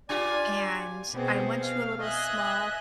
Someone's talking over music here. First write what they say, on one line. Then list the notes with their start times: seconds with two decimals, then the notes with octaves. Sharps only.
and I went to a little small
0.09 D4 F4 G4 D5 G#5
1.11 B2 B3 C4 G#4
1.62 F5
1.99 D#5 E5 G#5 F#6